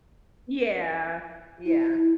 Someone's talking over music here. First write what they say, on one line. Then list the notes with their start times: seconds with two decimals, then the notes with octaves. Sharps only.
Yeah. Yeah.
1.66 E4